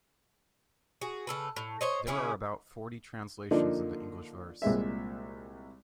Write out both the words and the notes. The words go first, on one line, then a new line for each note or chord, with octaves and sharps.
There are about forty translations into English verse.
F#4 G#4
C#3 A4 B4
A2
C5 C#5 D#5
C#3 C#4 E4 G#4
D3 F3 A#3 D4 D#4 F4
C2 A#2 G#3 E5